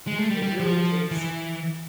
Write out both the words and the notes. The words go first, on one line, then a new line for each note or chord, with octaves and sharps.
it it really takes
G#3
A3
G3
G3
F3
E3